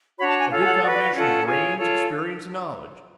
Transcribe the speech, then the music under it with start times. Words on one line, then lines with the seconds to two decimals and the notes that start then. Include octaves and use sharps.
A good combination of brains, experience and knowledge.
0.19 D4 F#4 C#5 B5
0.29 A5
0.40 G#5
0.50 F4 A4 C#5 F5
0.61 G#5
0.66 F#5
0.82 F#4 B4 D5
0.93 D5
1.03 F5
1.14 C#4 F4 A4 F#5
1.45 F4 G#4 C#5
1.76 F4 A4 C#5